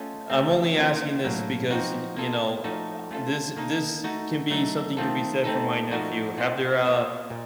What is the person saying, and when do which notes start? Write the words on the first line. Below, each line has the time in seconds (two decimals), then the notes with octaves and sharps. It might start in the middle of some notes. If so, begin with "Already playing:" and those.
I'm only asking this because, y you know, uh, this this can be something to be said for my nephew. Have there, uh
Already playing: A3 C#4 F4 A4 D#5
0.30 C#3 A3 C4
0.77 A#3 C#4 F4 C5
1.24 A2 F#3 A#3
1.70 F3 C4 D#4 F#4
2.16 A#3 F4 A4 D#5
2.64 F3 A3 D#4 F#4 A4
3.11 A3 C#4 F4 A4
3.57 D#3 A#3 D#4 A4
4.04 A3 D#4 F#4
4.50 F#3 A3 D#4
4.97 D#3 A3 C4 F4 A4
5.44 A3 C4 D#4 A4
5.90 F3 A3 D#4 F#4
6.38 C4 F4 C5 D#5
6.85 A#3 F4 C5
7.30 A#2